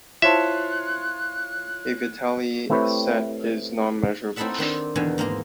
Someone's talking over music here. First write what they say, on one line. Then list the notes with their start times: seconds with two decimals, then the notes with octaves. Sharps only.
A Vitali set is non-measurable.
0.22 E4 F4 C5 C#5 E5 A5 C6 F#6
2.70 A3 C4 E4 G4 B4 C#5
4.36 C4 D#4 E4 A4 E5 F#5
4.58 D#3 C4 D4
4.95 E2 B2 D3 D#3 G#5 A#5
5.18 G#2 A#3 C4 A#5 C6